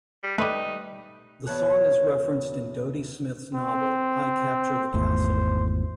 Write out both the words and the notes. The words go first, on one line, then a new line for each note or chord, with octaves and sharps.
The song is referenced in Dodie Smith's novel I Capture the Castle.
G3
G3 A3 D#4 B4
E2 B2 E3 C#5 A5 F#6
C4
G#1 E2 A3 C5